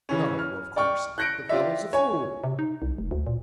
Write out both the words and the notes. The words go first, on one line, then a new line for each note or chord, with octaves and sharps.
"No, of course not; the fellow's a fool."
C#3 E3 C#4
F6
D5 G5 C#6 F6
F#6 G6 A#6 C#7 D7
F4 G4 D5 E5
C#5 G#5
C3
D#4
C2
F1
D2
A#2